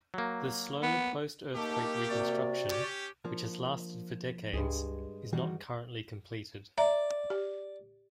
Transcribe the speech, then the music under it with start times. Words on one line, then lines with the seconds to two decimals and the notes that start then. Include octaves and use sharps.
The slow post-earthquake reconstruction, which has lasted for decades, is not currently completed.
0.14 F#3 A#3
0.83 B3
1.56 A3 A#3 D#4 G4 D#5 A5
2.10 C3 F#4 D5
2.69 C#4 G4
3.25 F3 A#3 D4
4.53 C#2 G2 G#3 G#4
5.33 D#3 E3 G3 F#4
6.78 D5 E5 A#5
7.30 G4